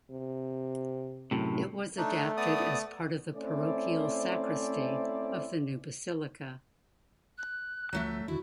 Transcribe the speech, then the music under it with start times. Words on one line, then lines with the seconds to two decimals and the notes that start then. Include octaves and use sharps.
It was adapted as part of the parochial sacristy of the new basilica.
0.11 C3
1.31 F#2 A2 C3
1.98 A3 D4 D#4
2.37 B3 D5 D#6
3.34 A3 C4 C#4 E4 C5 D5
7.38 F#6
7.93 D2 F3 F#3 A3 E5
8.28 E2 D3 D#3 E4 F#4